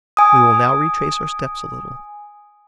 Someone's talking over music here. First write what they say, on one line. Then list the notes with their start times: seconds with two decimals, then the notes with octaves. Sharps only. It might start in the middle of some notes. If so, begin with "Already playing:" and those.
We will now retrace our steps a little.
0.17 G#5 D#6